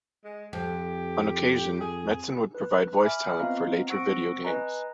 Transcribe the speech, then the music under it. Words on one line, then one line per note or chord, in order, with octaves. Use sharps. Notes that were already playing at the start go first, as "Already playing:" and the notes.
On occasion, Metzen would provide voice talent for later video games.
G#3
F2 G4
G#4
B4
E5 G#5 B5 D6 F6
B3 C4 F4 D#5 F5 A#5
C4 F#5 C#6 E6 A#6 D7
B4 D#5 G#5 A#5